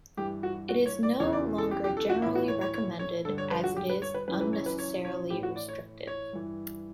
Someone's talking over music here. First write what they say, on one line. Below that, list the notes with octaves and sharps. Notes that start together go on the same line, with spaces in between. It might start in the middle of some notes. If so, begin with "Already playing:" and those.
It is no longer generally recommended as it is unnecessarily restrictive.
G2 E3 G4
F#4
F#4
C#5
D5
E2 C#3 E3 C#5
D5
A4
G4
G4
A4
F#4
A2 E3 E4
F#4
C#5
C#5
C#5
C#5
G2 D3 A4
C#5
B4
F#4
G4
B4
C#5
B4
F#2 C#3 E3 B4
B4
C#5
B4
C#5
C#5
A2 E3 G4
F#4
D5
C#5
C#5
G2 E3